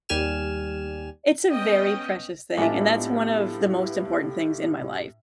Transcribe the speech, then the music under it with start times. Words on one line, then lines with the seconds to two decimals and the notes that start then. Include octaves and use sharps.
it's a very precious thing, and that's one of the most important things in my life.
0.09 D#2 G3 G4 G#5 F6 E7
1.50 B3 C#4 D#5 G5
2.57 A2 G#3 B3 D4 E4 F4 G4 E5